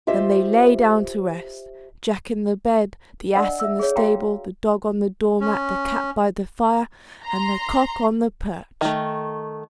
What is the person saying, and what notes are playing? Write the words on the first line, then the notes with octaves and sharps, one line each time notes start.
Then they lay down to rest;--Jack in the bed, the ass in the stable, the dog on the door-mat, the cat by the fire, and the cock on the perch.
F4 G4 C5 D#5 E5
D4 A#4 D5 D#5 F#5
E5 E6
G#4 C#5
F#4 F5 G5 A#5
C#4
A#5 C6
D#3 A3